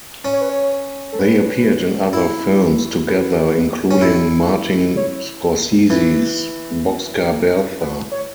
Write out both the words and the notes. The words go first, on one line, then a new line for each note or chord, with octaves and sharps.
They appeared in other films together including Martin Scorsese's "Boxcar Bertha".
C#4
C#5
B4
C#5
A4
B4
E4
B4
C#4
E4
C#5
E3
B4
C#5